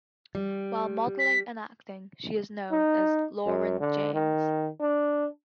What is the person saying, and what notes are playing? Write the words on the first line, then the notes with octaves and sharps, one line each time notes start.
While modeling and acting, she is known as Lauren James.
G3
B6
D#4
F#2
D3
D#3
D4